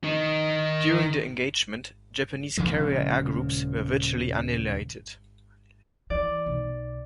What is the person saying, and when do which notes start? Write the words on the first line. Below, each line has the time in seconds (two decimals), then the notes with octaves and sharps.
During the engagement, Japanese carrier air groups were virtually annihilated.
0.04 D#3 D#4
2.57 D#1 C#3 F3 G#3
6.10 E3 D5
6.46 B1